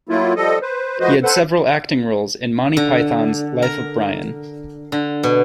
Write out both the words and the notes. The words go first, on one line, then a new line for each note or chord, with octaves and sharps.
He had several acting roles in "Monty Python's Life of Brian".
F#3 A3 A#3 E4 F4
F3 G3 A4 D#5
B4 C5
F3 A3 F#4 B4 C5 D#5
A4 B4 C5 F#5
D3
A#4
D3
B2